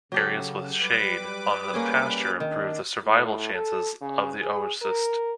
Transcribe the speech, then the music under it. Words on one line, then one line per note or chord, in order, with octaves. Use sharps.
Areas with shade on the pasture improve the survival chances of the oocyst.
C#3 F#3 G4 A4
G3 B4 D6
A#3 C#4 G#4
D#3 D4
A2
A4
C#3
G#4
A#4